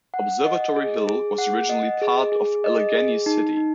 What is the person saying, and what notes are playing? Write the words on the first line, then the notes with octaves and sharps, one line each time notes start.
Observatory Hill was originally part of Allegheny City.
F#5
D#5
G#4
G#4
F#5
D#5
G#4
G#4
D#5
G#4
D#4
D#4